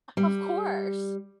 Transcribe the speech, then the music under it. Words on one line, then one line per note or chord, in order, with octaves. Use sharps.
Of course.
G3